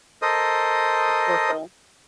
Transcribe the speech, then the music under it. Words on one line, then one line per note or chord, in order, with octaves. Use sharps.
Like, "We're full."
A4 A#4 C5 D#5 D#6